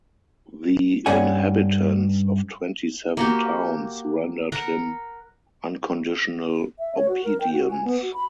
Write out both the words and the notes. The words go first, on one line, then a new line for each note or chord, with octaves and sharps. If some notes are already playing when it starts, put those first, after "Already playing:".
The inhabitants of twenty-seven towns rendered him unconditional obedience.
G2 C#4 D5 F#5 G#5
A#3 F#4 G4
A#4 F#5 A#5 B5
E5
C#5
F#4
A#4
G5
F#4
G#5
B3
F#4
B5